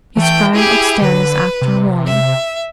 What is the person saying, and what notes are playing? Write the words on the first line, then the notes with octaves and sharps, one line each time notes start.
He sprang upstairs after Wally.
E3 A3 G5
E4 G4 G#4
D3 B4
C3
E5